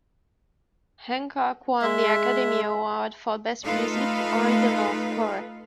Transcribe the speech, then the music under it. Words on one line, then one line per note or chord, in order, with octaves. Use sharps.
Hancock won the Academy Award for Best Music, Original Score.
G#3 E5
A3 D#4 F4 A4 B4 F5